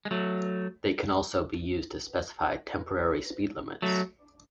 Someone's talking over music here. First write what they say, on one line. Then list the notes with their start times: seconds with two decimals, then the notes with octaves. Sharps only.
They can also be used to specify temporary speed limits.
0.05 G#3
0.11 F#3 A3
3.82 F#3 A3